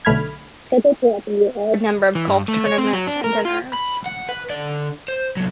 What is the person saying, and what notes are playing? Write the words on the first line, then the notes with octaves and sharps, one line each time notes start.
Scheduled throughout the year are a number of golf tournaments and dinners.
B1 D3 A3 B5 F6 G#6
E3
G2
A3
C#5
C4
F#3
D4
A#4
F4
B5
F#5
B4
D3 D5
C5
C2 F#3